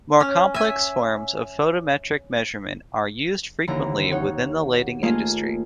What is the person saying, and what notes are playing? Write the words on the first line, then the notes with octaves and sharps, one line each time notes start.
More complex forms of photometric measurement are used frequently within the lighting industry.
C#4
E5 G#5
D#2 D3 E3 A#5
D#4 C#5 F#5
A3 A#3 F4 G#4 D#5 F5